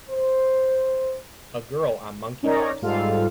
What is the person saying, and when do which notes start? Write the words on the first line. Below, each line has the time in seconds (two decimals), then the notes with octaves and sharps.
A girl on monkey bars.
0.10 C5
2.43 C#4 D#4 A#4 C#5 D5 A#5
2.82 G#2 G3 F4 A4 F5